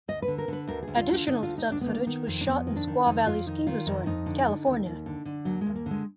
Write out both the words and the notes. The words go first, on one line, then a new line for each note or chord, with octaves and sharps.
Additional stunt footage was shot in Squaw Valley Ski Resort, California.
D2 D#5
B4
D3
A#4
D3 B4
D2 A#4
D2 G#4
F4
D3
F4
D3 D#4
D2 F4
D#4
D2 D4
B3
D#3 A#3
D#3 B3
F2
D4
F2 B3
D#3
D4
D#3
F2 D#4
F2 F4
D#3 D#4
D#3 F4
F2 D#4
F2 D#4
D3
D3
D#2
D#2
D3
D3
D#2 F#3
D#2 G#3
A#3
D3 G#3